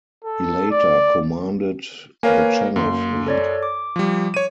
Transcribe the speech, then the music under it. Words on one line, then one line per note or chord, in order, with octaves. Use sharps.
He later commanded the Channel Fleet.
A4
D5
A#3 A#4 B4 C#5 F5 G#5
F#2 A#3 C6
A4 C#5 D5
D6
F3 G3
C#5 D#7